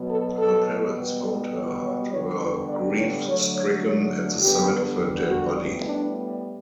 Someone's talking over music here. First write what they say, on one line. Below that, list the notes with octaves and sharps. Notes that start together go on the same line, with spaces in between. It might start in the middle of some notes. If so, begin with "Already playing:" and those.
Her parents found her and were grief-stricken at the sight of her dead body.
Already playing: B2 F#3 B3
A4
A4
B2 G3 B3
A4
C#5
C#5
D3 G3 B3 C#5
B4
D5
C#5
D3 F#3 A3 C#5
C#5
C#5
D3 G3 B3 G4
F#4
A2 G3 B3
D4